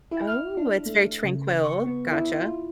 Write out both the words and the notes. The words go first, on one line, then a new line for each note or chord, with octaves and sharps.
Oh, it's very tranquil, gotcha.
E4
F6
D4
A3
C#3
C#6
B3
E4
F4